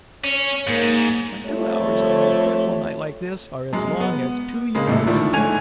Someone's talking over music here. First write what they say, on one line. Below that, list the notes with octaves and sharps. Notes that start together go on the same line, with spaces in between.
And two hours on a dreadful night like this are as long as two years.
C#4 C#5
G#2 A#3
F2 F3 G3 A3 C#5
F#2 G#3
B3
C#3 G#3 A#3
C2 A2 C3
D3 D#3 F3 A3 E4
G#2 A3 C#4 G#5 G#6 F7